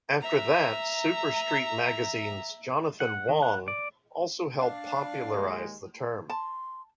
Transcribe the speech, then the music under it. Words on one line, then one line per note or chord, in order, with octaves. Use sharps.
After that Super Street Magazine's Jonathan Wong also helped popularise the term.
E5 A#5
F#5
D#3
F#5
D5
D4 F5
D#2 G#3
A5 C6